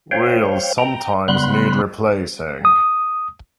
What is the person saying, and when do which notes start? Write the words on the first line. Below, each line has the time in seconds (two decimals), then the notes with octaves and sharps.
Wheels sometimes need replacing.
0.11 C5 C#5 F5 G5
0.78 G5 A#5
1.28 C#3 G3 B3 B5 C6 F#6
2.65 D#6